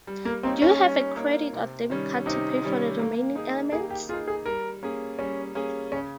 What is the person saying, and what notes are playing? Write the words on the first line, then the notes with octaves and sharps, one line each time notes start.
Do you have a credit or debit card to pay for the remaining elements?
G3
A#3
A#3 C4 D#4 A#4 C#5
C#4
G3
A#3 D#4 A#4 C#5
C3
D#3 G3 C#4
C3 D#4
D#3 G3 C#4
A#3
D#4 G#4
A#3 G#4
G4
D#4 F4 G#4
G#4
G3 A#4
A#3 C#4 G#4
G3 C#4
A#3 C#4 G#4
C#3 C#4